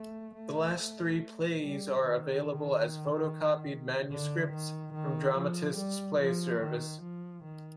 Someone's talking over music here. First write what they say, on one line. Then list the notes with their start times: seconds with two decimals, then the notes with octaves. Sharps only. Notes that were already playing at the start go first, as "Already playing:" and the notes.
The last three plays are available as photocopied manuscripts from Dramatists Play Service.
Already playing: A3
0.35 A3
0.78 A3
1.61 G3
2.03 D#3
4.11 D3
4.52 D#3
4.94 D#3
5.37 F3
5.77 G3
6.20 F3
6.61 D#3
7.02 F3
7.44 D#3